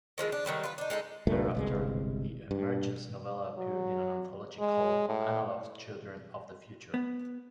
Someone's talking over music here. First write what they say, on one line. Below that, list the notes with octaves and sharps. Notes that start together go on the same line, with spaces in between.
Thereafter the "Emergence" novella appeared in an anthology called "Analog's Children of the Future".
D#3 F3 G#3 E4
D4
D#3 F#3 G3 A3
F4 B4
D4 D#4
G#3 D#4 F4 A4
C#2 G2 A#2 A3
G1 C2 G#3
G2
F#3
G#3
A2
B3